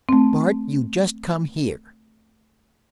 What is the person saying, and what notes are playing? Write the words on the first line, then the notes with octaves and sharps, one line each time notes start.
"Bart, you just come here!"
A3 C4